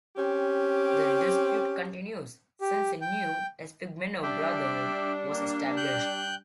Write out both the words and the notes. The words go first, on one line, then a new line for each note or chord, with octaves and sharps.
The dispute continues since a new "Esphigmenou brotherhood", was established.
C4 C#4 G4
G4
G5
G3 D4 D5 E5 G5
A#3
G5 F#6 G6